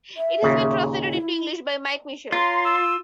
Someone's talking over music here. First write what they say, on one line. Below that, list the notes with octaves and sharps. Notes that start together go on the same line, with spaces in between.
It has been translated into English by Mike Mitchell.
E5
D#2 A#2 C#3
E4
F4 C#5 A#5 C6
E6